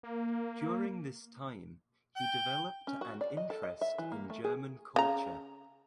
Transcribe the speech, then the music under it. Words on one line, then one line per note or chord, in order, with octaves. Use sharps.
During this time he developed an interest in German culture.
A#3
G5
C#4
F#4
D5
D#5
A4
D#5
E5
E3
A#3
A3
G#4
C#3 A#5